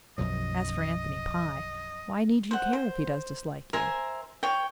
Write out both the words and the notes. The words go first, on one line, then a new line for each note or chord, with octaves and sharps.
As for Anthony Pye, why need you care if he does dislike you?
B1 F#2 F3 F#3 D#5
C5 F#5
C5
A#4 C5 E5 G#5
C#5 G5